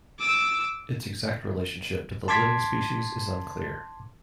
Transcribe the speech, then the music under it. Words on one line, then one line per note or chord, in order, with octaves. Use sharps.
Its exact relationship to the living species is unclear.
D6 E6
A5 C6 D6 G#6 B6